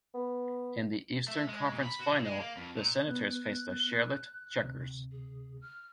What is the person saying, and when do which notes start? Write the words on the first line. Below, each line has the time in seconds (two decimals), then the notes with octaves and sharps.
In the Eastern Conference final, the Senators faced the Charlotte Checkers.
0.14 B3
1.28 A3
1.49 G#3
1.72 A#2
1.84 B5
2.00 F#4
2.12 A#2
2.25 G#3
2.41 A#3
2.57 F2
2.77 A#2
3.07 B3 F#6
4.62 D2 C3
5.12 G#4
5.61 F6